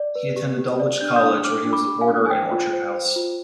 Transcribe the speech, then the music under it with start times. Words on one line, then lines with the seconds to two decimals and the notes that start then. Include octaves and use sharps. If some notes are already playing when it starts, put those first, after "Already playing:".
He attended Dulwich College where he was a boarder in Orchard House.
Already playing: D5
0.15 B4
0.36 G4
0.58 G4
0.80 D5
1.01 D4 G6
1.09 F6
1.16 D#6 G6
1.23 D4
1.44 D4 D6 F6
1.65 D4
1.73 B5 D6
1.87 G4
2.01 F5 G#5
2.09 D4
2.26 G#5
2.30 C5 G5
2.51 F4
2.73 C5
2.94 C5
3.16 F4